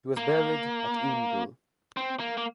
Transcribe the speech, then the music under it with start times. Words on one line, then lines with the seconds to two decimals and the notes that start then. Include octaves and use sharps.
He was buried at Oundle.
0.17 A#3
1.97 C4
2.20 A#3
2.37 A#3